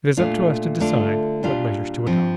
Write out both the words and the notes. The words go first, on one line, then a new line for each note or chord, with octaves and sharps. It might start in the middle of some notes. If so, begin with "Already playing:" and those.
"It is up to us to decide what measures to adopt."
A#2 A3 D4 F4
D3 A3 D4 F4
A#2 G3 D4 F4
G2 F3 C4